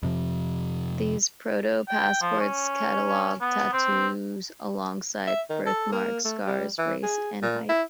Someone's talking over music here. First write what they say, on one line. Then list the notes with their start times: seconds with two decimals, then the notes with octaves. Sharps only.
These proto-passports catalogued tattoos alongside birthmarks, scars, race, and height.
0.03 F2 C3 F3
1.88 G5
2.21 F3
2.40 C#4
3.40 B3
3.73 C4
5.27 E5
5.50 D#3
5.66 A4
5.92 A#3
6.25 A3
6.46 G3
6.78 E3
7.03 G#4
7.42 A#2
7.69 E4